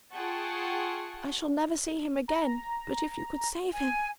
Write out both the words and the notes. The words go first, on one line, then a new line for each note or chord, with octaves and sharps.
I shall never see him again; but if you could save him!
F4 G#4 F#5 G5 A5 C#6
A#5
G#5